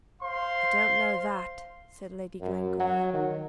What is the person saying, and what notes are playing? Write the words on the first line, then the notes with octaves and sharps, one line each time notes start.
"I don't know that," said Lady Glencora.
C5 F5 C6
F#2
F#3
D#3